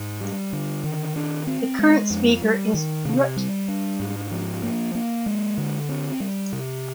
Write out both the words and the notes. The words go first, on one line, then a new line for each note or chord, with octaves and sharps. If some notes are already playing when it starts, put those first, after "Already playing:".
The current Speaker is Rt.
Already playing: G#2
G3
D3
D#3
D4
C4
G#3
F2
G3
D#3
C3
G3
D4
G#2
F3
A#3
A#3
G#3
D3
C4
G3
C3